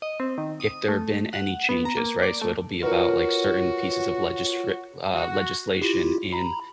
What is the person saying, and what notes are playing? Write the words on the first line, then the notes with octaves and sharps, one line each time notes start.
if there have been any changes," right? So it'll be about, like, certain pieces of legisri uh, legislation in
D#5
C4
D#3
D#6
A3
F#5
B3
A#5
A#3
D5
A3
F4 F#4 A#4 B4 C#5
F#4
E4 F4 G4
A#5 B5